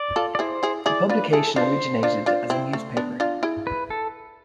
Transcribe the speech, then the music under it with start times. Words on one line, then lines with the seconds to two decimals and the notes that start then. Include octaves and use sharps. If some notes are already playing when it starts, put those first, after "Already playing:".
The publication originated as a newspaper.
Already playing: D5
0.16 F4 A4
0.35 D5
0.39 E4 G#4 C5
0.63 E4 G#4
0.86 E4 G#4 D5
1.09 D4 F4 B4
1.33 E4 G#4 A4
1.56 D4 F4 C5
2.03 D4 F4
2.26 D4 F4
2.50 C4 E4
2.73 A3
2.97 B3 D4
3.20 D4 F4
3.43 E4 G#4
3.67 B4
3.90 A4